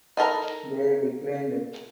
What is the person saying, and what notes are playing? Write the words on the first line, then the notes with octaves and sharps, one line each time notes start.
They declined.
D#4 A4 A#4 B5